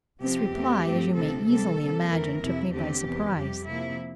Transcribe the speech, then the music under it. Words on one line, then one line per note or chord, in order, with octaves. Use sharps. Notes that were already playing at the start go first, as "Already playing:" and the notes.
This reply, as you may easily imagine, took me by surprise.
C3 F3 C4 G4
E2 E3 A3 C4
G2 F3 A3 C4
D2 C3 F3 C4 A4
C3 G3 C4 A4
C3 G3 A#3
F2 E3 A3 C4 A#4
F2 C3 F3 E4
E2 D3 A3 C4 G4
E2 C3 E3
F2 C3 G3 G4
C3 F3 A#3 E4